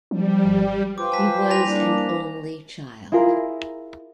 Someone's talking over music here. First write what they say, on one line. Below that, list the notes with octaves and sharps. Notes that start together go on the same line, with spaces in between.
He was an only child.
F3 G3
G#1
F4 B4 C5 F5 G5 D6
G#5 A5 B6
G3 E4 G#5 A#6 F7
A#3 D4
C5
E4 F4 G#4 A#4